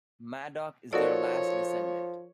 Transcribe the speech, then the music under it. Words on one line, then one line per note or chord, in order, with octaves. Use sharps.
Madoc is their last descendant.
F3 D#4 F#4 A4 A#4 C#5 D5